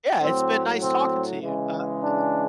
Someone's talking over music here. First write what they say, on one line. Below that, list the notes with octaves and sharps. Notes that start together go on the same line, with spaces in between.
Yeah, it's been nice talking to you. Uh, eh
A2 F#3 C4
C4
C#3 E3 G#3
D4